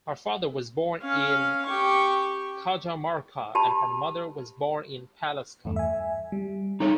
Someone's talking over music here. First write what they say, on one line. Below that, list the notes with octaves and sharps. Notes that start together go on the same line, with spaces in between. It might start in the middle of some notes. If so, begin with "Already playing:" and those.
Her father was born in Cajamarca and her mother was born in Pallasca.
C#4 F5
G4 C#6
G4 A5 B5
E2 G2 A3
E5 G#5
G3
D#4 A4 C#5